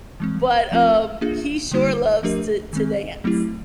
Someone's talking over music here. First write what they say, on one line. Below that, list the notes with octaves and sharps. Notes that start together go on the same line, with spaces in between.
but, um, he sure loves to to dance.
E3 G#3 C4
F3 A3 C4 F4 A#4
A#3 D4 F4 G#4
D3 G3 A#3 D#4 F#4
F3 A3 D4 G4 A#4
D#3 G#3 C4
F#3 A3 C4 E4 G4